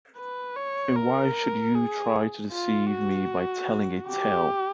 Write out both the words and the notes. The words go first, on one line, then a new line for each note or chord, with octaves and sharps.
And why should you try to deceive me by telling a tale?
B4
C#5
A#4
G#4
F4
F#4
G4